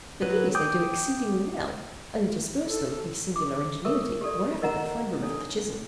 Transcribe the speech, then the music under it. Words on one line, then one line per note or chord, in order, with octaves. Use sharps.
But these they do exceedingly well, and intersperse them, with singular ingenuity, wherever they find room for the chisel.
F#3 B4
G5 D6 D#6 G6
A4
D6
A4 A#4 E5 C#6
G4 A4 D5
A#4 D#5 F#5 A#5
D4 D#4 A4 C#5